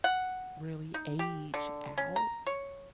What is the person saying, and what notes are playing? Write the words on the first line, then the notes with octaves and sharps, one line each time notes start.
really age out.
F#5
D#4
G4
D3
C#4
A#5
C#5